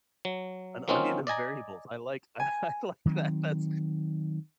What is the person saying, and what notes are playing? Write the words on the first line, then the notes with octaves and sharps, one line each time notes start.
An onion and variables. I like tha I like that. That's
F#3
F#3 A#3 C4 C#4 D#4 F4
D5 D#5 G#5 A#5
G#5
D#3 F#3 A3 C4